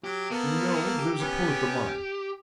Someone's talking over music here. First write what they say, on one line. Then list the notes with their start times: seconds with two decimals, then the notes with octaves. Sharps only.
No, there's a pull at the line.
0.04 F#3 G4
0.30 A#3 B3 A4
0.99 G4
1.20 B3 C#4